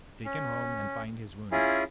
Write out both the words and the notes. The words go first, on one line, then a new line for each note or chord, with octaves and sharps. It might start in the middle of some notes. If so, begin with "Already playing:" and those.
Take him home and bind his wounds.
C#4
C#4 E4 F4 G#4